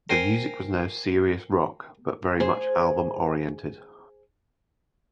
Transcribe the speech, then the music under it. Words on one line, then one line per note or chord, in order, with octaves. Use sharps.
The music was now serious rock but very much album oriented.
A#4 C5 G5 G#5 C6
G#4 C5